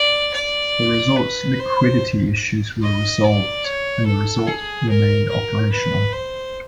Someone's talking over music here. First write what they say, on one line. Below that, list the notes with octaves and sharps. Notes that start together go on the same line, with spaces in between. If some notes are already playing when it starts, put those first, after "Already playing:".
The resort's liquidity issues were resolved and the resort remained operational.
Already playing: D5
D5
B4
C5
D#5
D5
C#5
A4
G#4
A#4
A#4
B4
C5